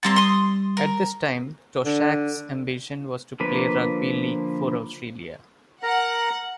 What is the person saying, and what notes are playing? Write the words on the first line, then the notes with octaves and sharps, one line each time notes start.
At this time, Toshack's ambition was to play rugby league for Australia.
G3 A#3 C4 C6 A6
C6 D#6
A#4
D3
D3 F3 A#3 B4
A#4 F#5 A#5